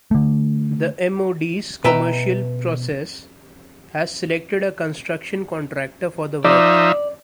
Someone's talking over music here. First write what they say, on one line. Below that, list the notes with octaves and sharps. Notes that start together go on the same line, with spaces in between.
The MoD's commercial process has selected a construction contractor for the work.
D3 A3
B2 B4 E5 G5 A#5
F3 D#4 D5 E5